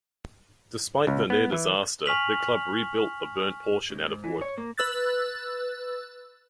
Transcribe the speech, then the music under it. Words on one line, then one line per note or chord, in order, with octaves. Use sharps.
Despite that near-disaster, the club rebuilt the burnt portion out of wood.
C#2
B3
E3
G#5 C#6 F6 B6 F7 F#7
C#2
G#2
E3
C#5
A#3
B4 E6 F#6 A6